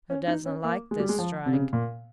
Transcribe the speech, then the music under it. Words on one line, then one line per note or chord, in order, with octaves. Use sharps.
Hoo doesn't like this strike.
C#4
D#4
C#4
A#3
G#3
G3
G#3
F3
C3
C#3
C3
A#2